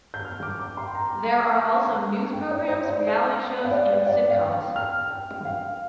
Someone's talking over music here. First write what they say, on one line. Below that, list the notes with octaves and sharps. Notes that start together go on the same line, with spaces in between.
There are also news programs, reality shows, and sitcoms.
G6
F6
D6
D6
C6
G5
A#5
G5
D5
C5
D5
F5
D5
D5
F5
G5
F6
G5
F5